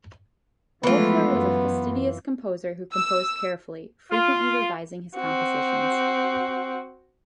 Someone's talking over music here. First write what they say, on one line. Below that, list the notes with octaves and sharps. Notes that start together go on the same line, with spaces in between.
Loeffler was a fastidious composer who composed carefully, frequently revising his compositions.
E3 F3 G#3 A3 B3 F4
F#2
E6
F4
C4 F#4